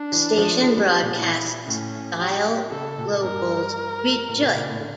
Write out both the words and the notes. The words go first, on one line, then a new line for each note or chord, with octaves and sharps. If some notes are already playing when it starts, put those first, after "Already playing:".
The station broadcasts Dial Global's Rejoice!
Already playing: D4
E3
F3
F3
G3
G3
A#2
E4
A2 C#4
G4
C#3 A4
A#2
G2 A#4
A2
C#3
A#2
A2
D3